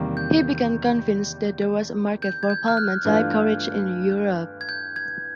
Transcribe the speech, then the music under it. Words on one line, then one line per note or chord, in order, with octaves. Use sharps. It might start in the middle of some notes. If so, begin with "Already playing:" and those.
He became convinced that there was a market for Pullman type carriages in Europe.
Already playing: E2 C3 D#3 G3 A#3
G6
G6
G#6
G6
F6
F#6
G2 E3 A3 D4 F4
G#6
G6
G#6